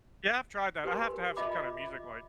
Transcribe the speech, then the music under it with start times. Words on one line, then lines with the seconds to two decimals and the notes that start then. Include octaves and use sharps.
Yeah, I've tried that. I have to have some kinda music, like,
0.84 G4 A#4 B4 G#5 C6
1.36 F4 D#5 E5 B5 D6